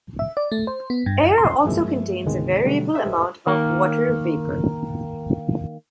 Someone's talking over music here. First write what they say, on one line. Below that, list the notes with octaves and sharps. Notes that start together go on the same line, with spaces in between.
Air also contains a variable amount of water vapor.
E5
D5
A3
C5
B3
G2
F#2
C6
G2 F3 G#3 A#3 E5
D2 G#2 C3 D#3 G#3 B3
B2 D3 F#3 G3 A3 D4
G4 A4 B4 C5 D#5 E5
D#3 A#3